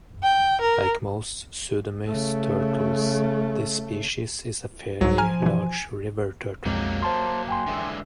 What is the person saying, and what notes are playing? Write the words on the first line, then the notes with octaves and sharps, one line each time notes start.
Like most "Pseudemys" turtles, this species is a fairly large river turtle.
G5
A#4
C#3 A3
C2 G#2 F#3
F3 G#5 A#5 F6
B2 E3
B1 F2 F#3 G#3 A#3 G4
C5 A5 C6
G5 G#5 C6
D3 E3 G#3